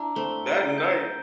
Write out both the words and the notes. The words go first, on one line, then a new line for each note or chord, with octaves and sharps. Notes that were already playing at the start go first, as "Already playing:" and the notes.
that night
Already playing: D4 E4 A#5
A3 C4 G7
D7
G6